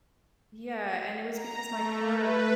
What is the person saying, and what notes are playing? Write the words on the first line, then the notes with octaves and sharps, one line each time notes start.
Yeah, and it was because my car
A#5
A3
B4